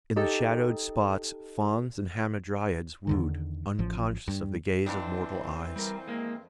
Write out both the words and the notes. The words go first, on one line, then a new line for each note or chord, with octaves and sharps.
In the shadowed spots fauns and hamadryads wooed, unconscious of the gaze of mortal eyes.
D#4 G4 A4
E2 D3 D#3
A1 F3
G2
F2 E3 C4 D4
G3 A#4
G#3 A#3